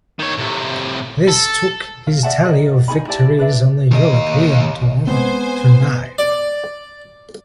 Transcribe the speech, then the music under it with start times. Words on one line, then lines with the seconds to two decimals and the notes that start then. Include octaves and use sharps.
This took his tally of victories on the European Tour to nine.
0.19 D#3 C#5
0.38 A2 C3
1.29 A4
2.07 F5
2.23 D5 E5 F#5 A5
2.45 A#4 D5 D#5
2.88 D#4 G#4 G#5 B5
3.07 E4 G4 D5 A5
3.38 D4 B4 D5 E5
3.91 D#2 D#5
5.07 G#3 B3 C4 C5 G#5
6.18 D5